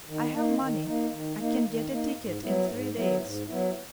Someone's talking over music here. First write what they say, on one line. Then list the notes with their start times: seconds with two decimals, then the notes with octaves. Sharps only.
I have money, I can get a ticket in three days.
0.07 D#3
0.34 A#3 D#4
0.60 D#3
0.86 A#3 D#4
1.12 D#3
1.39 A#3 D#4
1.65 D#3
1.90 A#3 D#4
2.16 G#2
2.43 F#3 B3 E4
2.69 G#2
2.95 F#3 B3 E4
3.22 G#2
3.47 F#3 B3 E4